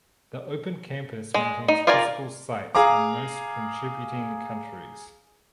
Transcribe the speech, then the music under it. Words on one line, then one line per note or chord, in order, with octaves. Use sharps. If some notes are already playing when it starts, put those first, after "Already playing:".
The Open Campus maintains physical sites in most contributing countries.
G#3
D#4
F4 A#4 D5 G#5 A#5
G#4 F5 A#5 D6